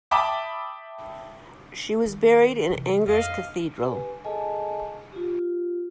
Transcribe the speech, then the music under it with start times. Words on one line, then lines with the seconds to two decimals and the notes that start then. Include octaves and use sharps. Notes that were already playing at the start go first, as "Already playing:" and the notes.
She was buried in Angers Cathedral.
0.11 E5 G5 A5 B5 D6 D#6
2.05 D#3
2.70 C3 E3
3.07 F2 D#5 F5
3.80 G4 B4 G#5
4.25 G#4 A4 D#5 G#5 A5
5.13 F4 G4